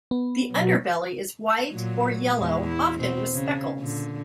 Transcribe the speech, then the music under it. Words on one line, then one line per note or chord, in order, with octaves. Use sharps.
The underbelly is white or yellow often with speckles.
B3
B2 F#3
A#2 F#3
E2 G#3
E4
B2 C4
C#3
A#2 D3